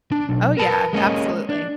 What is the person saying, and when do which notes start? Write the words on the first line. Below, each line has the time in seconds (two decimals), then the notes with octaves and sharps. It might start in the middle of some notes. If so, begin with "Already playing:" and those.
Oh, yeah, absolutely.
0.12 D4
0.29 B1
0.57 A#4 B4 A5
0.93 G#3 A#3 C#4 D#5
1.49 D4